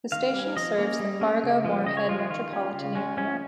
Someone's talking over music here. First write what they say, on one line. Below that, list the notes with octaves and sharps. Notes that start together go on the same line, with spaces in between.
The station serves the Fargo-Moorhead metropolitan area.
D#3 F5
G3 C#4
F3 D#5
A#3 C#4
G3
A#3 C#4
C#3
F3 G#3
C#3 D#5
C#5
F3 G#3 F4
F4
D#3 F4
G3 C#4
C#3
G#3 C#4
F3 C#4